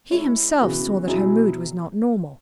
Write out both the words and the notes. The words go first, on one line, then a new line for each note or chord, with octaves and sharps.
He himself saw that her mood was not normal.
G#3 E4 C#5
C#3 E3 B3 F#4
B2 F#3 E4 G#4